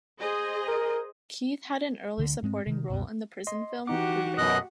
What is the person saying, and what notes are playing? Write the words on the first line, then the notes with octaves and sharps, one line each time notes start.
Keith had an early supporting role in the prison film "Brubaker".
G#4 C5 D#5
A#4
D2 D3
G#2 G#3 C4
C3 D#3
C#2 F#2 B2
D#5 C6
E3 D#4 F#4 G4 F#5 D6
F#2 B2 D#5 F#6